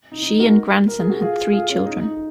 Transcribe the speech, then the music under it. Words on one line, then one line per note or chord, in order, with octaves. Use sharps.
She and Granson had three children.
D#4
D#4
F#4 A#4
A#4
G#4
F#4
F4 G#4
F4 G#4
C#4 F4
D#4
D#4